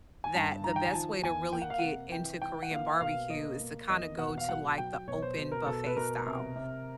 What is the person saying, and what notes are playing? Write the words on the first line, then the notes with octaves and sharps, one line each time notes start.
that the best way to really get into Korean barbecue is to kinda go to, like, the open buffet style,
G#5
G2 A5
D#3 A#5
G5
G#5
F3 A5
E2 G#5
A#3 G5
F#5
F5
C3 F#5
E3 G5
E3 G5
F#5
A#3 F5
B2 F5
A#3 D#5
A#3
E2 D#5
B2 F#5
F5
F#3 F#5
F#3 G5
B2 C#5
C5
B2 C5
A#4
B2 A4
B4
B2 A#4
C3
C3